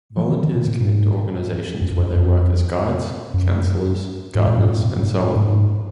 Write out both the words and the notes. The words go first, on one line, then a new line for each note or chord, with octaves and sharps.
Volunteers commit to organisations where they work as guides, counsellors, gardeners and so on.
F3
D#3
D#3
B2
A#2
G#2
F#2
F#2
F2
F#2
G#2
A#2
G#2
A#2
G#2
G#2
G#2